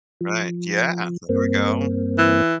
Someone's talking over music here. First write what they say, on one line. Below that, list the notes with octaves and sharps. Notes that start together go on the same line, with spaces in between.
Right. Yeah. There we go.
F3
G2 A#3 C4
E3